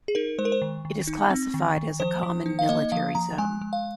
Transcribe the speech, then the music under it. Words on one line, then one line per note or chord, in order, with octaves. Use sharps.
It is classified as a Common Military Zone.
G#4
D#4 A#4
G#3 C5
A#4
C5
D#3
D#3
D#4
C4
D#3
D#3
F3 C5
F3
D#4
F5
A#3 D#5
F3 F5
F3 A#5
G#3 G#5
G#3
F5